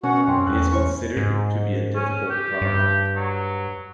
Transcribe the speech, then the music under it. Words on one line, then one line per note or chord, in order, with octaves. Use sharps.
It is considered to be a difficult problem.
B2 C#4 F#4 F#5
F#2 C4 G5 C6
E2 F#6
E4 C5 C#5 C#6
G#2
C#4
G4
G2
F#3